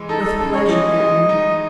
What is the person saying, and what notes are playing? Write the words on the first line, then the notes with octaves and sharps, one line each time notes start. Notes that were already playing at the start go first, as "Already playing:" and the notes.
"With pleasure, madam."
Already playing: E3 G#3
D#4 A4
A4
C#3 A4
C#5
E3 D#5
G#3
D#4